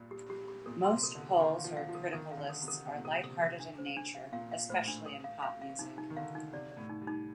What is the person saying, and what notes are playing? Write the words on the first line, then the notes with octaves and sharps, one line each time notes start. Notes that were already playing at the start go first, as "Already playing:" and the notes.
Most polls or critical lists are light-hearted in nature, especially in pop music.
Already playing: G2 A#2
G4
G4
G4
A#2 A#4
C6
C3
A#4
D3
A#4
D#3 C6
F5
F3
F5
F3
A#4
D3
D#3 A#4
F5
D3
A#4
C3
A#4
C3 A#4
A#2
C3 A#4
C3 A#4
A#4
D4
C5
D4
F5
A#2 F5
F5
A2 C5
D4
A#4
F5
F5
F5
C3 D#4
D#4
D#3
D3 F5
D#4
C3 D5
D5
A2
D#4
G3
D#4